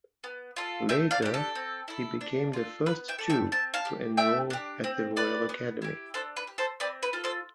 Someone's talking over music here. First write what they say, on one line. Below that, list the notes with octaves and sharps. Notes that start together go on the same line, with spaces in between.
Later, he became the first Jew to enroll at the Royal Academy.
B3
F4 A4
A3 E5 G5
D5 F5
D4 G4
A4
C4
E4 A4
D4
F4 A4
B3 B4
E5 G5
D4 A4
E5 G5
C4 A5
F5 A5
G4
A3 E5 G5
D4 G4
C4
G4 B4 D5
B3
E4 G4
D4 A4 C5
B4
G4
A4 C5
C4 B4 D5
B4
F4 A4
A4 C5